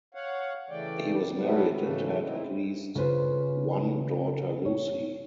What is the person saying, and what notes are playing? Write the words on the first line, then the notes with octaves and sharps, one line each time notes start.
He was married and had at least one daughter Lucy.
C#5 F5 F#5
C#3 E3 A3 D5 G5
C3 E3 F#3 G3 A3 B3
G#2 C#3 E3 A3
A2 C4 D#4 E4
C#3 F4 B4 C5
C#5